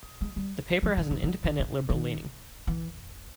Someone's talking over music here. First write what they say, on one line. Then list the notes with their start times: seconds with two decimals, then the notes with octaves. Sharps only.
The paper has an independent liberal leaning.
0.21 G#3
0.36 G3
0.83 F3
0.97 D3
1.11 D#3
1.23 D3
1.44 D3
1.60 C#3
1.89 D#3
2.67 E3